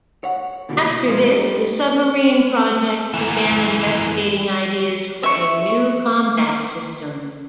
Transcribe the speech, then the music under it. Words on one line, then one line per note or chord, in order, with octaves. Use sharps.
After this, the submarine project began investigating ideas for a new combat system.
C#5 F#5
B2 D3 E3 G3 A3 A#3
B2 E4
F3 G#3 F4
A2 G3 A3 D4 D#4
F#2 E3
E5 C#6